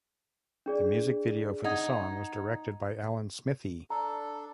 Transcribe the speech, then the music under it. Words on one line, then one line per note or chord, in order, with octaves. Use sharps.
The music video for the song was directed by Alan Smithee.
D4 G#4 D5
D#4 F#5 G#6
D4 A4 A#5